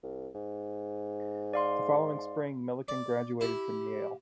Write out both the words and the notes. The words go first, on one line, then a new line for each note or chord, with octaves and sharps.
The following spring, Milliken graduated from Yale.
C2
G#2
D5 F5 C6
D5
E4 G4